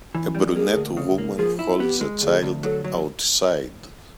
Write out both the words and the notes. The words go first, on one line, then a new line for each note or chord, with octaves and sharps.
A brunette woman holds a child outside.
E3
G3
A#3 G#4
D2
C#3
A#3
F3 G#4
E4
B3 G4
G#3
D2 G#4
D2
F#3 A4
F#3